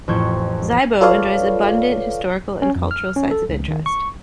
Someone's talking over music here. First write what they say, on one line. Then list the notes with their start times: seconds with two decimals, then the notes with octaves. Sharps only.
Zibo enjoys abundant historical and cultural sites of interest.
0.08 A1 F2 A4 C#6 G6 G#6
1.01 F4 A4 B4 C#5 D5 F5
2.62 C#4
2.76 F2
2.91 F6
3.16 C#4
3.31 A4
3.49 C#2
3.68 D#3
3.86 C#6